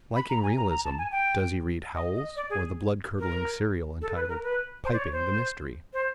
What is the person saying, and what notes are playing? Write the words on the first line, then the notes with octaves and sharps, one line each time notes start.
Liking realism, does he read Howells or the blood-curdling serial entitled "Piping the Mystery"?
B5
A#5
G#5
A#5
A#5
A5
G#5
G5
D#5
D#5
D5
G#4
A#4
A4
B4
A#4
B4
C5
D5
C#5
C5
C5